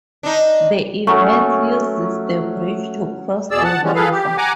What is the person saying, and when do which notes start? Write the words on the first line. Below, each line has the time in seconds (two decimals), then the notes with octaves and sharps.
The event uses the bridge to cross the river.
0.23 D4 D#4
1.07 F#3 A3 C#4 A#4 C#6
3.51 E2 B2 G#4 D5 E6
3.64 F#5 A5
3.83 F3 G3 G#3 B3 C#4
3.95 G#4 A4 B4 F5
4.11 G4
4.38 F#5 G#5 A#5 D6